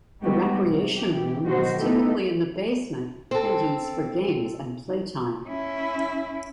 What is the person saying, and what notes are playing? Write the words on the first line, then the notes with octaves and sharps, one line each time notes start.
The recreation room is typically in the basement and used for games and playtime.
G3 G#3 B3 D#4 F#4 G4
C3
E3 G4
B2 D#3 F#3 F#4 C5
A3 B3 D#4 E4 G4 A4
C4 A4
C#4 E4